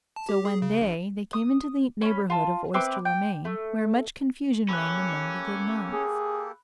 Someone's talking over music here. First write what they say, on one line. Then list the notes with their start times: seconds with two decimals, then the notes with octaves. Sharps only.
So, one day, they came into the neighbourhood of Oyster-le-Main, where much confusion reigned among the good monks.
0.16 A5
0.29 G4
0.45 G#4
0.62 C#3
0.81 A#1
1.33 D#6
2.01 C#4 B5
2.30 F4 A5
2.74 C4 E4 B4 D6
3.05 G5
3.45 A3
4.69 A#3 C#4 G4 A4 B5 F#6
5.93 G#4